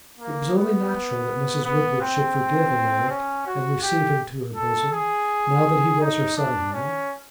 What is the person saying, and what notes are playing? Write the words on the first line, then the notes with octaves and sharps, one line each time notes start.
It was only natural that Mrs. Woodward should forgive Alaric and receive him to her bosom, now that he was her son-in-law.
A#3
B3
B3
C4
C#4
F#4
G4
A4
G#4
D#4
D4
C#4